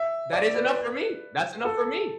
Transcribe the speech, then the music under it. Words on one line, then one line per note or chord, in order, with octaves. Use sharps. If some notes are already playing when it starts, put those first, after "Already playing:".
That is enough for me That's enough for me.
Already playing: E5
D5
B4
A4